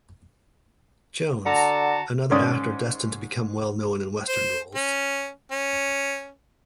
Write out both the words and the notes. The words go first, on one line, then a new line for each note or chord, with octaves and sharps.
Jones, another actor destined to become well known in western roles.
D3 F#4 A5 A#5
G#2 D#3 C#4 D5 D#6
C5
C#4
C#4